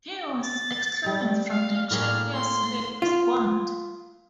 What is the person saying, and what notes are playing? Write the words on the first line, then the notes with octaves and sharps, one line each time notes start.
He was excluded from the Champions League squad.
A6
G3 A4
F5
A2 A#3 G#4 F6
C6
F4